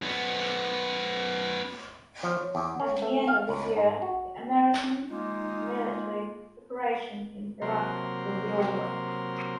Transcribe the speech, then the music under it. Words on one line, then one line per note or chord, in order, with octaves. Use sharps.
At the end of this year, the American military operation in Iraq will be over.
F#2 B3
F3
C#5
E2
C#4
A3
F5
C#2
G#2
F#4
G#3 A#3 D#4 F4
C3 F#3 A#3 A#4 C6